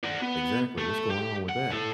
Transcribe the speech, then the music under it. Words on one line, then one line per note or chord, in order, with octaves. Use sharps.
Exactly, what's going on with that?
F#4 D5
B3
A3
G4
F#5
A2 A4